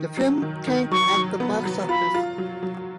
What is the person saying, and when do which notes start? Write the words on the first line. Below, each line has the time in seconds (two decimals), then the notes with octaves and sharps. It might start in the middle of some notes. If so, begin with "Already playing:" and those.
The film tanked at the box office.
Already playing: D#3
0.17 F#3
0.42 D#3
0.67 D#3
0.91 F#3 C#6
1.15 F#3
1.40 B3
1.65 F#3
1.89 F4 B5
2.14 F4
2.38 F#3
2.63 F#3